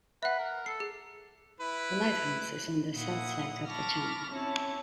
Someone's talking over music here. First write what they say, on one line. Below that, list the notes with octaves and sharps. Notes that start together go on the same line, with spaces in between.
The lighthouse is on the south side of the channel.
B4 E5 F#5
A#4
A4 C7
G#4
E4 B4
A#2 E4 F#5 D#6
A5 B5 C#6 D6 F6 A#6
C4 C#4 E4 C#5 A5